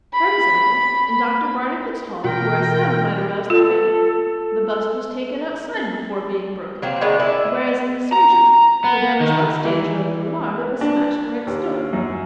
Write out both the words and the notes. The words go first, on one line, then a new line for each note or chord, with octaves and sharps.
For example, in Dr. Barnicot's hall, where a sound might arouse the family, the bust was taken outside before being broken, whereas in the surgery, where there was less danger of an alarm, it was smashed where it stood.
B5
B2 E3 F#4 A#4 G5
F4 A4
A4
F#3 A#3 C4
D#3 G#3 B3 D4
E4 D5
A#5
B3
D#3
E3
B3
D4
D#2
F#2